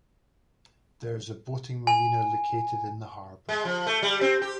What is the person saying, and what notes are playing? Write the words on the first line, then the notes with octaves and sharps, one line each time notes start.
There is a boating marina located in the harbour.
G#5
G#3
F3
A3
G3
C4
G4